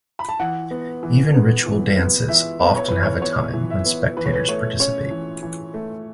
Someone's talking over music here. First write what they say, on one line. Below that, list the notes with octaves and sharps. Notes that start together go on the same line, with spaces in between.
Even ritual dances often have a time when spectators participate.
B5
A5
E3 F#5
B3
E3
B3
E3
B3
E3 E5
B3
C#5
E3 B4
C#5
B3 C#5
E3
E5
B3
E3 B4
C#5
B4
A3 C#5
C#4 C#5
E3
E3
A3